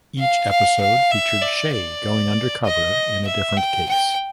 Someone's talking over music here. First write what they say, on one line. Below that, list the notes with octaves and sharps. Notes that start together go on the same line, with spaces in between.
Each episode featured Shay going undercover in a different case.
F5
F5
F5
E5
D5
D5
D#5
E5
G5
G5